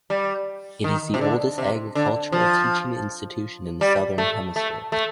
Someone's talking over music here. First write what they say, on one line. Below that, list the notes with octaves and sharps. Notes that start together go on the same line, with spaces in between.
It is the oldest agricultural teaching institution in the Southern Hemisphere.
G3
D#3
C3
D3
C3
D3
F3
G3
A3
A3
A3